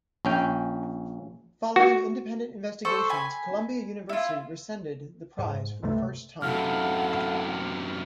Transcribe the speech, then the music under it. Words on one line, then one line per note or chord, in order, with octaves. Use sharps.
Following independent investigations, Columbia University rescinded the prize for the first time.
A#1 C#4 G5
F#4
A4 C5 C#6
G#5 B5
E4 F4
G#2
C#2 G2 C3 A3
F#2 C3 E4 A4 F5 F#5 F6